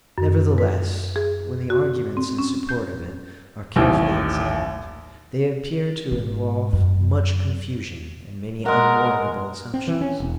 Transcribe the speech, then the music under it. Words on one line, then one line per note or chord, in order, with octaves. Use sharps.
Nevertheless, when the arguments in support of it are carefully examined, they appear to involve much confusion and many unwarrantable assumptions.
F#2
B4
G#4
F#4
C4
C#4
G6
A1 D#2
G#2
F#2
G#3 A#4 F#5
C4
E3
C#4
E1